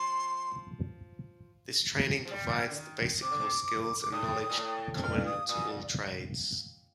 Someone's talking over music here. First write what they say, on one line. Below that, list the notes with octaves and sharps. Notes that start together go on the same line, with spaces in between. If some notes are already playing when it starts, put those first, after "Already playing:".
This training provides the basic core skills and knowledge common to all trades.
Already playing: F3 C6
F3
G3
D3
D#3
C3 D6
D3
C3
D6
A2 D#6
D#6
A#2
A2
F2
G2 F6
D#6
A#2 D#6